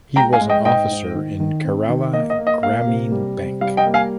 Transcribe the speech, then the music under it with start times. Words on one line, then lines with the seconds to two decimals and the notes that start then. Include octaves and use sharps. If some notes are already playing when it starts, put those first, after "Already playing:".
He was an officer in Kerala Grameen Bank.
0.16 G#3 G5 A#5
0.33 F5 G#5
0.41 G#3
0.49 D#5 G5
0.65 G#2 D#5 G5
0.91 G#2
1.15 D#3
1.40 D#3
1.64 C4
1.89 D#3
2.13 A#3 D#5
2.30 D#5
2.38 A#3
2.47 D#5
2.63 A#3 F5
2.87 C3
3.12 G3
3.36 C3
3.61 G3 F5
3.77 D#5 G5
3.86 A#3
3.94 F5 G#5